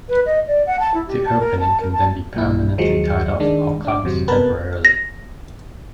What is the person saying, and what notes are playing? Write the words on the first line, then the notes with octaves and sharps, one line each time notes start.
The opening can then be permanently tied off or clamped temporarily.
B4
D#5
D5
F#5
A5
E4
G4
A5
A#4
A5
A#4
A5
B1 A#2 E4
D#2 F3 F#3 G#3 C#7
D#3 G#3 D4
D4 D6
G#1 F2 C3 F#3
C3 B3 A#4 B4 A5
A#6